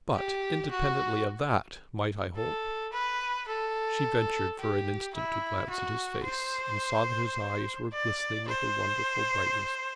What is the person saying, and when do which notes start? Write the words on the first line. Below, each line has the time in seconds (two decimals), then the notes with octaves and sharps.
"But, independently of that, might I hope?" She ventured for an instant to glance at his face, and saw that his eyes were glistening with a wonderful brightness.
0.15 G4
0.71 F#4
2.37 A4
2.93 B4
3.48 A4
4.60 G4
5.15 E4
5.70 F#4
6.25 C5
7.93 D5
8.48 C5